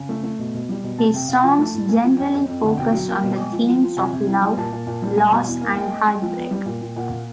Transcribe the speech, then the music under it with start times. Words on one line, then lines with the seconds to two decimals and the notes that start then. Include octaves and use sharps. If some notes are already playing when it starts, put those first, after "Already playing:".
His songs generally focus on the themes of love, loss and heartbreak.
Already playing: C#3
0.09 A3
0.24 A3
0.39 B2
0.55 B2
0.69 G3
0.84 B2
0.98 C3 A5
1.14 C3 G5
1.28 C3 F5
1.43 F3 G#5
1.59 A3 A5
1.74 A2
1.89 A3 G#5
2.04 F3
2.18 F2 G5
2.33 F2
2.48 F2
2.63 D3 F#5
2.77 B2 G5
2.93 F#3
3.08 A#3
3.23 B2
3.37 G#3
3.52 F3
3.68 F3
3.83 F3
3.97 C3 G#5
4.13 C3
4.27 E3
4.42 G3
4.57 A#2 A5
4.72 A#2
4.87 A#2
5.02 G3
5.16 G3 G#5
5.32 B2
5.47 E2
5.61 A#3
5.77 G#3 G5
5.92 G#3
6.07 G#3
6.22 F3
6.37 B3
6.51 G3
6.66 A#2
6.81 A#2
6.96 A#2 F#5
7.11 A#3